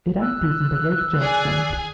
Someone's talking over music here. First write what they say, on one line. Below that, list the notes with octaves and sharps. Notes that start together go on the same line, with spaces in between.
It empties into Lake Jackson.
E6 F#6
G#4 D5 G#5